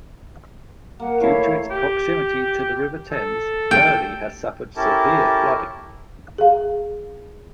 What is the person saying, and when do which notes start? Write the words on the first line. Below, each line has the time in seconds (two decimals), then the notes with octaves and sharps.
Due to its proximity to the River Thames, Purley has suffered severe flooding.
1.00 A#3 F#5
1.20 A3 E4 C#5 F5 A5
1.71 G4
3.11 A4
3.71 G5
4.76 C#4 E4 G4 A4 A#4 A5
6.38 G#4 F5